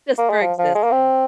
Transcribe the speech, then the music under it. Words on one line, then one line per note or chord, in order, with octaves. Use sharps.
Just for existing.
A#3
G#3
F3
F3
G#3
A#3
C4